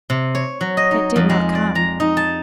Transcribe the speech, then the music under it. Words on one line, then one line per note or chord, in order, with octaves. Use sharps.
It did not come.
C3
C#5
F#3
D#5
D#4
F2
G#3
D5
A#5
D#4
A5